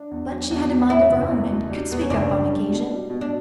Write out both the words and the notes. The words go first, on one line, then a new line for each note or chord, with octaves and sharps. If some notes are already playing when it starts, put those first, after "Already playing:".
But she had a mind of her own and could speak up on occasion.
Already playing: D4
E2
F#3
E2
F#3
E2 E4
F#1
E2
B2
G3
E2 B3
C#4
F#1 D4
F#1
G3
B2
G3
B2
D4